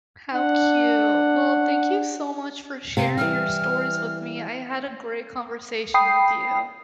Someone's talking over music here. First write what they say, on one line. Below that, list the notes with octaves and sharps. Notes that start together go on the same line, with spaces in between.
How cute. Well, thank you so much for sharing your stories with me, I had a great conversation with you.
D4 F#5
C3 F5
E3 G3 F6
G5 B5 D#6 C7